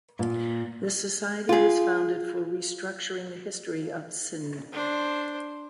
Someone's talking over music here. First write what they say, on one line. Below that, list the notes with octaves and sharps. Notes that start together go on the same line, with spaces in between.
This Society was founded for restructuring the history of Sindh.
A#2
F4 G#4
D4 C5